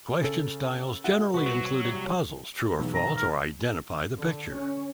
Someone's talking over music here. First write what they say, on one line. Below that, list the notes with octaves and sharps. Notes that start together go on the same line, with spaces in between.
Question styles generally included puzzles, "true or false," or "identify the picture".
C#3 A4
F#4 E5 F#5
C2 F#4 B4
F#3
C2 G3 C#5
B1 E2
A#5
A#4
D3
C#4